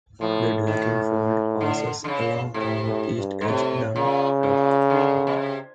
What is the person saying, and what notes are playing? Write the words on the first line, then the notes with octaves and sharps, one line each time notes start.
The Deakin Fault passes along the north east edge of Dunlop.
A2 F3
D#3
D3
D3
C#3
A2 C3
A2
G2
G#2
A2 C3
A#2 C#3
A#2
D3
B2
C3